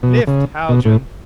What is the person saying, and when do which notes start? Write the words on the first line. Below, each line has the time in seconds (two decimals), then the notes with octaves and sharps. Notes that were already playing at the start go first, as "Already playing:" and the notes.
"Lift, Haljan!"
0.03 B2
0.28 C#3
0.69 B2
0.85 A2